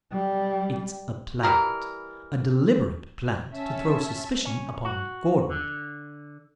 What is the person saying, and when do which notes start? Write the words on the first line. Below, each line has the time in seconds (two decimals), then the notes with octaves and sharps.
"It's a plant; a deliberate plant to throw suspicion upon Gordon."
0.11 G3
1.43 E3 G3 G#4 A#4
3.54 C#4 E5 A5
4.45 C#4
4.85 F#4
5.49 D3